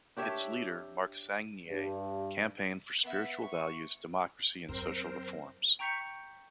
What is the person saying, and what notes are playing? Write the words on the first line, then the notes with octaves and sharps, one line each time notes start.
Its leader, Marc Sangnier, campaigned for spiritual values, democracy and social reforms.
D4 G4 C#5 E5
G2
B3 E5
C#6
F#2 C4 A#4 C5
G5 A#5 C#6 G6 B6 C#7